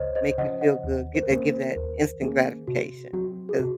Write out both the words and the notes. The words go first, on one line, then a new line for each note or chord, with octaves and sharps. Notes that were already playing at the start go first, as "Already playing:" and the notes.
make you feel good, get that give that instant gratification 'cause
Already playing: C#2 C5 C#5 D#5
C5 D#5
C#3 F3 D#5 F#5
D#5 F#5
D#2
C5
A#4
D#3 A#3 C#4 C5
C5
D#2 A#4
D#3 A#3 C#4 G#4
C3 F#4
F#3 C4 F#4
G#4
C3 F#4